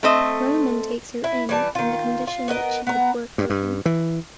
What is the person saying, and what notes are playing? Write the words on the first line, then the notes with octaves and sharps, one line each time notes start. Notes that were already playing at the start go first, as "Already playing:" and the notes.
Roman takes her in on the condition that she would work for him.
A3 C4 D#5
E4
E3 G3 A5
D#3 F4
F4
B3 A#4 D#5
B3 A#5
G2
G2
E3